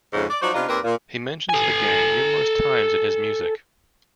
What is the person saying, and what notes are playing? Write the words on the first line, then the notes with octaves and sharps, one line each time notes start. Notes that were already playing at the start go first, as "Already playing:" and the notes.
He mentions the gang numerous times in his music.
F2 G#2 C#3
D5
F3 F#3 D#4 F#4 C5 D5
C3 B3 D4 D#4 F4
D#2 A#3 C4 A#4 B4 D5
A#2
A4 G#5